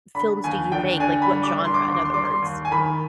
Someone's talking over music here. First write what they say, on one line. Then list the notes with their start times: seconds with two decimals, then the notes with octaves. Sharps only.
films do you make? Like, what genre, in other words?
0.15 D3 B5
0.44 D#2 G#5
0.72 D3 G5
1.00 D3 G#5
1.22 B5
1.29 G3
1.43 D6
1.58 D3
1.65 C6
1.74 D6
1.84 D#2 C6
1.95 D6
2.05 C6
2.14 G3 D6
2.25 C6
2.42 D#2
2.65 G#5
2.71 D#3 B5